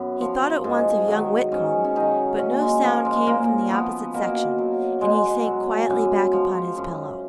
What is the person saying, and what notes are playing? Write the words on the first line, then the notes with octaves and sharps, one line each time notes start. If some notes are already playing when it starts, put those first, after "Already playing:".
He thought at once of young Whitcomb, but no sound came from the opposite section, and he sank quietly back upon his pillow.
Already playing: F#2 B3
F3
G#2
D#3 F#3
G#2 C#4
C#4
D#3 F#3 D#4
A#2 C#4
G#3
F3 A#3
G#3
A#2 A#3
F3 B3
B2 A#3
F#3
B2 G#3
F#3
F#2
F3
F#2